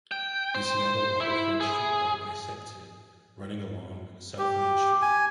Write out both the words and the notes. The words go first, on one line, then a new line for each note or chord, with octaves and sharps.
The Seattle Waterfront Streetcar bisects it, running along S. Main Street.
G5
C5
E4
G#4
G4
G#5